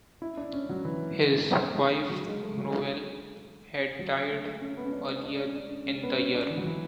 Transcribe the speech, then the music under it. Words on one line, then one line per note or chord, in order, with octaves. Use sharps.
His wife, Muriel, had died earlier in the year.
E4
D4
C#4
F#3
E3
F#3
G#3
A3
F#3
D3
F#3
A3
C#4
B3
C#4
D4
D4
C#4
D4
C#4
B3
C#4
D4
E3
F#3
E3